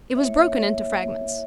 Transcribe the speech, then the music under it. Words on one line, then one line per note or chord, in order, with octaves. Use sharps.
It was broken into fragments.
A#3 E4 C#5 E5